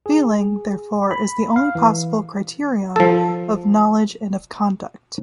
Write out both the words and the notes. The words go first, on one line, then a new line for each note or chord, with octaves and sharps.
Feeling, therefore, is the only possible criterion of knowledge and of conduct.
G#4
B5
F5
E3
F3 A4